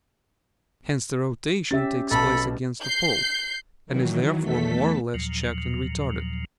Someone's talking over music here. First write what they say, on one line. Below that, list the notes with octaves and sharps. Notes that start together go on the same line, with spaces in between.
Hence the rotation takes place against a pull, and is therefore more or less checked and retarded.
C#4 G4 E5 A6
B1 B2 A4 A5 B5
G6 C7
D#3 E3 F#3
E2 A3 A4 B6
D#2 A#2 F3 F#3